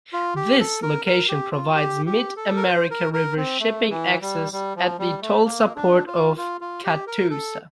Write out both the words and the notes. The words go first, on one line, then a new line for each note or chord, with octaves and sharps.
This location provides mid-America river shipping access at the Tulsa Port of Catoosa.
F4
G4
A4
A#4
A#4
G4
F4
G4
G4
A4
A#4
C5
A#4
A#4
C4
A3
E3
G3
G3
F3
G3
A3
A#3
D4
F4
F4
F4
G4
A#4
A4